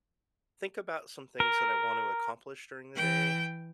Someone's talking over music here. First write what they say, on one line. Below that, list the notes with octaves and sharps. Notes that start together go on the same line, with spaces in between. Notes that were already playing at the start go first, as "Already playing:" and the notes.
think about some things that I wanna accomplish during the day,
A#4
E3 G5